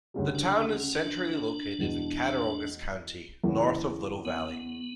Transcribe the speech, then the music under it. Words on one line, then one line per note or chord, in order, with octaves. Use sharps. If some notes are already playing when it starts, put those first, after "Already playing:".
The town is centrally located in Cattaraugus County, north of Little Valley.
D2 C#3 G3
D4
D4
D4
C#4
D4
E1 E2 B2
E2 C#3 E3 A#3
B3